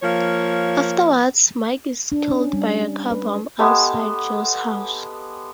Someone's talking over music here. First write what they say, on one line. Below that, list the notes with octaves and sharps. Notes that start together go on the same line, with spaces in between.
Afterwards, Mike is killed by a car bomb outside Joe's house.
F3 A#3 C#5
D4
C#4
G3
B4
G#3 A3 B3 G4